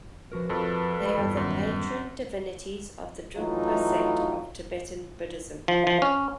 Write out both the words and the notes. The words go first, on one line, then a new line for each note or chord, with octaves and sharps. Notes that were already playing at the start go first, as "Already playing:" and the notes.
They are the patron divinities of the Drukpa sect of Tibetan Buddhism.
F3 F#4 A#4 B4
F2 A4
G#3 B5
E2 G2 B3 E4
F#2 D#3
E3 F#3 A3 D#4 F4
F3
F3
C#4